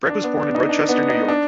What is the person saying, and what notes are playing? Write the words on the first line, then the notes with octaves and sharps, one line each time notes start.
Breck was born in Rochester, New York.
D4
B3
D4
D#4
D4
B3
D#4
D4